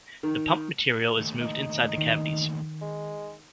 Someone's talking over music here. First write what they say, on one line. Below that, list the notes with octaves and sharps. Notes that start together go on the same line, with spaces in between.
The pumped material is moved inside the cavities.
D#3
D#2 A3
D#4
D#3
G#3